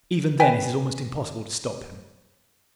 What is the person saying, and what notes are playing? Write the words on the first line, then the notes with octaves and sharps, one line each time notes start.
Even then it is almost impossible to stop him.
B4 G5 G#5